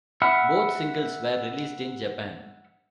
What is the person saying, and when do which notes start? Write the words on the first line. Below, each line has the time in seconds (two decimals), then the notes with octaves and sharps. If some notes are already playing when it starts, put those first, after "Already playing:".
Both singles were released in Japan.
0.22 E5 F#5 B5 F6